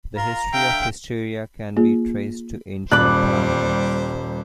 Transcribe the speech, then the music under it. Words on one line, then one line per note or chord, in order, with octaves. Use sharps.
The history of hysteria can be traced to ancient times.
F4 A#4 A#5
D3 E5 F5 G5
A#3 F4 G#4
D#1 G3 C5 D5 B5 D6 F#6